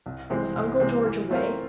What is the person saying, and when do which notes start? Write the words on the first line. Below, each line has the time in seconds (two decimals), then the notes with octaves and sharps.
Was Uncle George away?
0.06 C2
0.30 C3 E3 G#3 C4
0.56 C2
0.80 C3 E3 G#3 C4
1.05 E3
1.31 A3 C4 F4 A#4